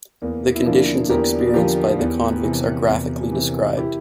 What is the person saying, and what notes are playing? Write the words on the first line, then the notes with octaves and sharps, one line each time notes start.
The conditions experienced by the convicts are graphically described.
E2 A#3
E4
D3 F3 A#3 D4
E2 G4 A#4
D3 F3 G4 A#4
E2
C3 E3
E2
C3 E3
E4 G4